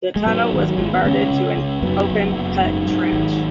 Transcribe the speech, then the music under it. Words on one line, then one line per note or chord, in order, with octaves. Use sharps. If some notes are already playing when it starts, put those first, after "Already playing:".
The tunnel was converted to an open cut trench.
G#3
G#2 F#3 B3
G#1 D#3
F#3
G#1 G#3
B3
C#3 G#3 C#4
C#3
C#2
F#2 F#3 B3
F#1
F#1
G#2
G#2
G#1